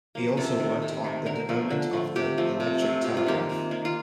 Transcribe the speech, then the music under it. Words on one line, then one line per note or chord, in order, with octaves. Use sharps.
He also worked on the development of the electric telegraph.
F3 A#3
C3 A4
D#3 A3
C3
D#3 A3
D3 A#4
F3 A3
D3
F3 A3
C3 G4
F3 A3
C3
F3 A3
C3 G4
F4
D#3 A#3 G4
C3
D#3 A#3
F4